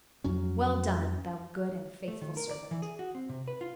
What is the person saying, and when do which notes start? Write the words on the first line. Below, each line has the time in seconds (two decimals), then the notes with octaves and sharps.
Well done, thou good and faithful servant!
0.24 F2 F#3 C#4
2.08 A3
2.22 D#3
2.37 A#4
2.51 D5
2.71 E3
2.82 G#4
2.99 F#4
3.15 C4
3.29 C3
3.48 B4
3.61 F4